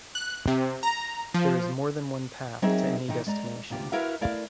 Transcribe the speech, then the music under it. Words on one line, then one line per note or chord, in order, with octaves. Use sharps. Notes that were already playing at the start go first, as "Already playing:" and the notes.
There is more than one path to any destination.
F#6
C3
A#5
F3
F#3 C4 D#4 G#4 A#4 E5
C3 E3 D#4 G5
G#3 D5 A#5
D2 C3 F4 G4
E4 F#4 A#4 B4 E5 F5
A3 E4 A#4 D5 F5